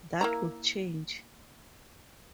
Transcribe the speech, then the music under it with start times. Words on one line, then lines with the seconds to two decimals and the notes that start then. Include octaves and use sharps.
That would change.
0.21 A#3 E4 A#5